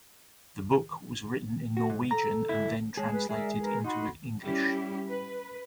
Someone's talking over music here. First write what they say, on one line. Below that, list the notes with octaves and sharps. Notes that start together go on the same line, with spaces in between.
The book was written in Norwegian and then translated into English.
F#4
G#2
A4 A#5
D2 E4
G#3 G#4 C#5 A5
B4
G#3 G#4 A#4 D5 E5
A#4 B4
D#4 F#4 B5 C6
G3 C#4 E4 G4
B4